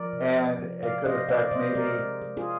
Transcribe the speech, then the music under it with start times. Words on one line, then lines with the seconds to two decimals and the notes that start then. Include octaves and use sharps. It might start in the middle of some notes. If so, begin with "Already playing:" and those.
and it could affect, maybe,
Already playing: F3 A#4 D5
0.13 C3
0.36 F3
0.59 F3
0.83 C3 D5 F5
1.05 C3 C5 D#5
1.28 C3 D5 F5
1.42 D5
1.51 C3 C5 D#5
1.75 G#3 A#4 D5
1.98 G#3
2.22 G#3
2.37 F4 G#4